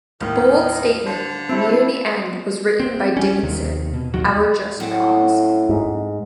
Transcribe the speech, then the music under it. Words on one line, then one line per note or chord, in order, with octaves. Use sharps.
The bold statement near the end was written by Dickinson: Our cause is just.
D#2 A2 D#3 A#3
D3 C5 F5
A3 C4 E4
C4
G3 C#4
D#2 C3 D#3
B2
A1 D#2 D#3 F#3
F#2 A2 C4 F#5
G#2